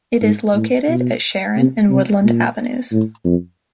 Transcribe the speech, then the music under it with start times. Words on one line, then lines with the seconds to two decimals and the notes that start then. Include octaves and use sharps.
It is located at Sharon and Woodland Avenues.
0.21 G#2
0.55 A2
0.88 B2
1.57 C3
1.90 C3
2.24 A#2
2.92 A2
3.25 F2